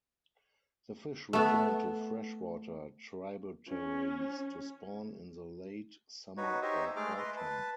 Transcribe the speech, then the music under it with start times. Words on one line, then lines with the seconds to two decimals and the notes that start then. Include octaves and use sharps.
The fish return to freshwater tributaries to spawn in the late summer or autumn.
1.33 A3 B3
3.68 C#4
6.37 D#4 F#4 B4 C#5
6.62 D#4 G4 C5 C#5 D#5 E5
6.96 G#3 A3 G#4 A4 D6 F6
7.18 B4 D#5 C6
7.37 B4 A5